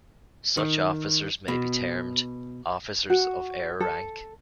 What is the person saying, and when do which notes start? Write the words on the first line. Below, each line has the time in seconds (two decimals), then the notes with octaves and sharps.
Such officers may be termed "officers of air rank".
0.57 D#3
1.48 B2
3.10 F#4
3.80 A4